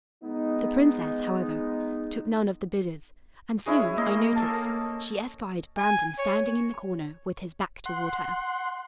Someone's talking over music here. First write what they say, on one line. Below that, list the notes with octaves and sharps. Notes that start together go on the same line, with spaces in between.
The princess, however, took none of the bidders, and soon, I noticed, she espied Brandon standing in the corner with his back toward her.
G#3 B3 D#4
G#3 C#4 E4
A#3 D#5
A4 A5
G#5
C#5
F#5 C6